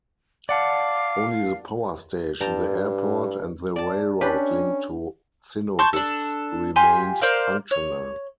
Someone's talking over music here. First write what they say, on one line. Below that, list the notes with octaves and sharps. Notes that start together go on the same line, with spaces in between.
Only the power station, the airport, and the railroad link to Zinnowitz remained functional.
D5 F5 F#5 A5 D6
G2 G5 A5 A#5
D5 A5
C#4 D4 G4 B4
A5 C6 C#6 G6
D4 A4
F4 G4 G#5 C6
A#4 C5 D5 F5
C#5